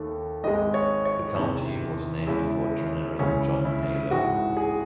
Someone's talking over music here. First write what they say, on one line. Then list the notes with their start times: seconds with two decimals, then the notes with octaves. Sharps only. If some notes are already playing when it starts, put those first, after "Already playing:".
The county was named for General John A. Logan.
Already playing: D#2 D#3 A3
0.44 G#1 G#2 D#3 G#3 D#5
0.74 C#5
1.05 C#5
1.35 E2 C3 D#3
2.27 E2 C#3 G#3 E4
3.19 C#2 C#3 E3 C#4
3.65 E4
4.11 A1 G#2 E3 G#3 F#4
4.57 G#4